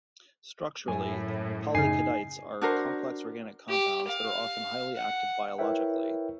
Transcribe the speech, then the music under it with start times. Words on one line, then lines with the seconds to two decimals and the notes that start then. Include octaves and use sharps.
Structurally, polyketides are complex organic compounds that are often highly active biologically.
0.88 F#2 A2 G#5
1.75 F#2 C#3 D#4 G#5 C7
2.61 D4 F#4 A#4 C5
3.69 G4
4.08 F5
4.96 F#5
5.58 E4 A#4 B4 C#5 E5 G5